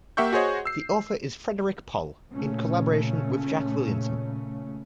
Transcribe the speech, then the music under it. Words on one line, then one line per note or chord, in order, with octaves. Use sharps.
The author is Frederik Pohl, in collaboration with Jack Williamson.
A#3 G4 E5 F#5 C#6 G6
F#4 G#4 C5 C#5 D#5 F#5
E6 C7
A#2 C#3 A3 C#4